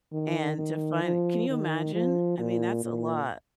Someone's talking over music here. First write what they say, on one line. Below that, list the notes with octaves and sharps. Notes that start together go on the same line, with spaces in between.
and to find Can you imagine? I mean, that's a lot.
D#3
D#3
F3
D#3
F3
A#2
A#2